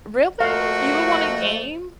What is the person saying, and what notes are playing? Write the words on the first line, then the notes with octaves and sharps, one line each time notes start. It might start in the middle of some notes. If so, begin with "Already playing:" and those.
Really? You would wanna game?
F2 F3 A3 A#3 F#4 F5